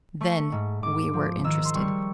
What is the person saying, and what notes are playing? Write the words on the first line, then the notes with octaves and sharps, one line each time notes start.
Then we were interested.
A3 C#6
G#2
G#2 D6
F3
D#3 E6
C6
G3 C#6